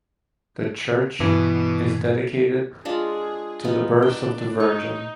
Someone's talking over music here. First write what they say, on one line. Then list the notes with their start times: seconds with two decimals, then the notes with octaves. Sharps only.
The church is dedicated to the Birth of the Virgin.
1.20 G2 B2 E3
2.85 G#3 D4 F4 G#4
3.64 B3 D#4 F4
4.02 D4 G5
4.60 D#4 C#6